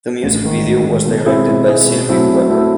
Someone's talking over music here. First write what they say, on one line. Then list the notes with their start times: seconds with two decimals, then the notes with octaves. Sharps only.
The music video was directed by Sylvie Weber.
0.23 A1
0.44 G#2 D#3
0.64 A1
0.85 G#2 D#3
1.06 B2
1.26 G#3 C4 E4 G#4
1.47 B2
1.67 G#3 C4 E4 G#4
1.88 B2
2.09 F#3 A3 C4 E4
2.29 B2
2.50 F#3 A3 C4 E4